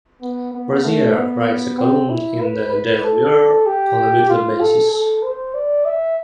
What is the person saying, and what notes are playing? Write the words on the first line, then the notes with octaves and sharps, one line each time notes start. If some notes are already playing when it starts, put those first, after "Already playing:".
Brazier writes a column in the "Daily Mirror" on a weekly basis.
B3
B3
A3
B3
C4
E4
B4
B4
A4
G4
F4
A4
A4
C5
D5
E5